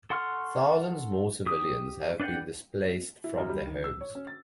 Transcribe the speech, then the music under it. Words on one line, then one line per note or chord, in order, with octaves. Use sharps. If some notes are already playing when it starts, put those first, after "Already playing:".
Thousands more civilians have been displaced from their homes.
A4 F#5 C6 C#6 F6
G4 D#6
D4 B4 D5 F#5 G5
E4
F#2
G3
D#3
E6
C#5
C#4
A6